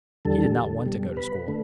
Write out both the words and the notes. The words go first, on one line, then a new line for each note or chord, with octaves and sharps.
He did not want to go to school.
E2 D3 G3 A4
B2 G3
B4
D3 A3